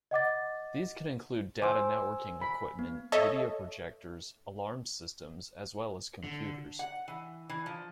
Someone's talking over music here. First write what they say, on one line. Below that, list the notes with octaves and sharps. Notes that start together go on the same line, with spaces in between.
These can include data networking equipment, video projectors, alarm systems as well as computers.
D#5 F#5 D6 A6
C5 G#5 D6 E6
B5
B3
A4 C#5 D#5 E5
D3
F#5
E3
E3
F3